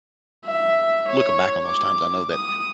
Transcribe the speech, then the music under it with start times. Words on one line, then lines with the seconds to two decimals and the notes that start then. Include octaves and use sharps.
looking back on those times, I know that,
0.45 E5
1.08 C#5
1.66 D6
2.31 D#6